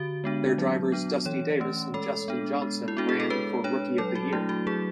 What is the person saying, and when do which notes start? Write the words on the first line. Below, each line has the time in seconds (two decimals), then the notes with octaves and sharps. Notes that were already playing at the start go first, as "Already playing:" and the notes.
Their drivers Dusty Davis and Justin Johnson ran for Rookie of the Year.
Already playing: D3 F#4
0.24 G#3 B3 D4
0.58 F#3
0.92 B3 D4
1.26 E3 C#5
1.60 A3 C#4
1.94 G#3 A4
2.28 B3 D4
2.62 G#3
2.88 E4
2.97 B3 D4 F#4
3.09 G#4
3.20 A4
3.30 G#3 B4
3.64 D4 C#5
3.98 F#3 A4
4.15 F#4
4.33 A3 D4 E4
4.49 F#4
4.67 F#3 G#4